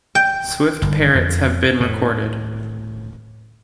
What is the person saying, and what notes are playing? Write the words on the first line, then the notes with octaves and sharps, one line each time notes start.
Swift parrots have been recorded.
G5
G1
F2
A2